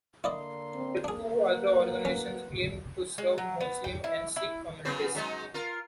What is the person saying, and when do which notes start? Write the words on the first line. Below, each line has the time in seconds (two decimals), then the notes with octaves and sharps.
The two other organisations claimed to serve Muslim and Sikh communities.
0.24 D3 A#3 E4 D5 D#5 C6
0.76 C4
1.04 A#3 D4 G#4
1.41 F#3 B4 F#5
2.05 C#4 A#5
3.18 G#3
3.38 F#3
3.61 B3
3.84 G5
4.04 E4
4.36 E4
4.85 C#3 F#3 B3
5.15 F#3 G#3 D#4
5.54 F4 A#4